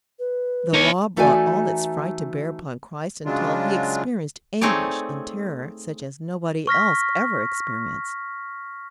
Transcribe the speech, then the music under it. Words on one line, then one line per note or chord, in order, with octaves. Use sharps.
The Law brought all its fright to bear upon Christ until He experienced anguish and terror such as nobody else ever experienced.
B4
D#4 C#5
E3 A3 D#4 F#4 D5 G#5
C#3 F#3 G#3 D4 F4
A3 C4 D#4 G#4 C#5 D5
C#6 F6 A#6 B6